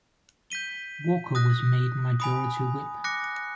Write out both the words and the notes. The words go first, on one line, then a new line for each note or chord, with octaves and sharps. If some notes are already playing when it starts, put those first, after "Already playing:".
Walker was made Majority Whip.
G6 B6 D#7 G7
D#6 F#6 A#6
G#5 B5 D#6
D6 F#6 A#6 C#7